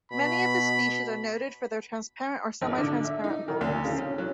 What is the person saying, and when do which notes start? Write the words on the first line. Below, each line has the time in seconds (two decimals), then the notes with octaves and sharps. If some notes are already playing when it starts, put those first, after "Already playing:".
Many of the species are noted for their transparent or semi-transparent bodies.
0.12 B2 B5
2.61 G#1
2.78 D3
3.05 E5
3.24 D#4
3.48 D#3
3.61 D2
3.85 C#3
3.98 C#4
4.18 F#3